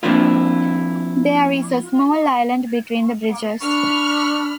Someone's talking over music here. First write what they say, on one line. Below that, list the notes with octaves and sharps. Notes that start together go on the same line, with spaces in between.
There is a small island between the bridges.
F3 A#3 C4 D4 E4 F4
D4 B5 C#6 F6